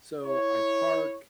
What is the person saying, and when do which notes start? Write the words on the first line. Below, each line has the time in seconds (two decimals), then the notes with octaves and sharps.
So I park
0.24 E4 C#5